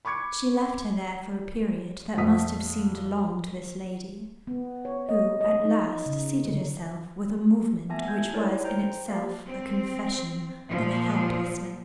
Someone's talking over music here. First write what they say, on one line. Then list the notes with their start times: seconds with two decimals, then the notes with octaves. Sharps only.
She left her there for a period that must have seemed long to this lady, who at last seated herself with a movement which was in itself a confession of helplessness.
0.05 B5 C#6 D6 G#6 C#7
2.17 F2 A#2 A3 F#5 D#6 B6
4.47 B3
4.85 C#5
5.09 D#5
5.41 D#5
5.65 D#4
6.06 C#3
6.45 D3
7.89 A3 B3 E5 G#5 A5 A#6
8.07 G#5 G6 G#6
8.33 D#4 E4 A4 A#4 C#5 D5
8.64 C5 G5 A#5 G6
9.08 A#3 G4 D5 F5
9.46 C4
10.69 A#2 F3